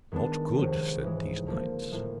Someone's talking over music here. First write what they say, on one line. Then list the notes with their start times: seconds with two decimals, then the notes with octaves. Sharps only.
Not good, said these knights.
0.12 D#3 G#3 B3 D4
0.57 C#2 C3 F3
1.02 G#2 E3 G#3
1.47 D3 F3 A#3
1.92 A2 F3 A#3